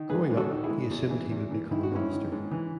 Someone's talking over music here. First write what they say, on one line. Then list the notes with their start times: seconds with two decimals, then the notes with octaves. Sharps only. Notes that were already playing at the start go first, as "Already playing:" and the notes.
Growing up, he assumed he would become a minister.
Already playing: D#3
0.10 G#2 G#4 B4
0.30 G#2
0.37 F#4 A4
0.50 D#3
0.64 E4 G#4
0.70 G#2
0.90 E2
1.11 E3
1.31 E2
1.51 E3
1.71 D#3 E4
1.83 F#4
1.92 G#2 C#4 E4
2.12 D#3
2.32 G#2
2.51 E3